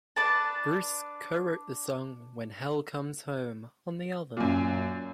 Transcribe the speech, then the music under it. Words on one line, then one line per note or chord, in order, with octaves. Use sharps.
Bruce co-wrote the song "When Hell Comes Home" on the album.
D4 B4 A5
F#2 A#2